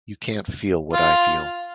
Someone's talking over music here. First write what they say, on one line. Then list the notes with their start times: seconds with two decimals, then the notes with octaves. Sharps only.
You can't feel what I feel.
0.93 F4